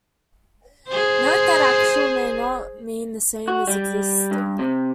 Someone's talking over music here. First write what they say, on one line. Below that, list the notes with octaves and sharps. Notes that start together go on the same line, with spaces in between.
Note that "actual" may not mean the same as "existing".
G#4 C5
F#4
G3
G2
C3